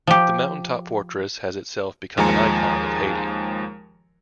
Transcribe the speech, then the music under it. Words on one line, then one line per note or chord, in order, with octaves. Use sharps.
The mountaintop fortress has itself become an icon of Haiti.
F3 G4
D#2 F3 G#3 G#5 A#5 C#7